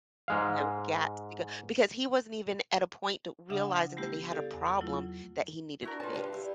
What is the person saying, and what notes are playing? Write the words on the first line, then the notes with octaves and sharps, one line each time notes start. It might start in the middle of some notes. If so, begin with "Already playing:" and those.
You gots to go, because he wasn't even at a point t realizing that he had a problem that he needed to fix.
G#2 G#3 F5
C#3 D4 E5 F#5 D#6
G3 A3 B3 E4 G4
G4 A4 D5 F5
E2
F#3 A3 E4 F4
D4 E4 F#4 A#4
A2 F4 B4 G#5 A5
G3 G#3 B4 F5
G3 E4